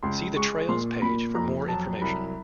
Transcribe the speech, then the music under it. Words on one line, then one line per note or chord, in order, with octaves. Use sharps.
See the Trails page for more information.
C#2 C6
G#3 C#6
A#2 C6
A#2 B5
F2 A#5
F#3 A5
C2 B5